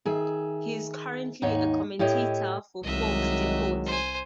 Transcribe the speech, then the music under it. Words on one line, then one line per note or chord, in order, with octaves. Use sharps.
He's currently a commentator for Fox Deportes.
D#3 G#4 E5
D#2 G#2 D#4 C#5
A2 E4 G4 C#5 D#5
C2 D#3 F#3 G#3 D#5 E5
C5 G#5